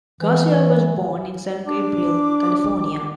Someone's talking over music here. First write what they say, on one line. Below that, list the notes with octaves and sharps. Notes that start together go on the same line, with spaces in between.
Garcia was born in San Gabriel, California.
E3
D4 D6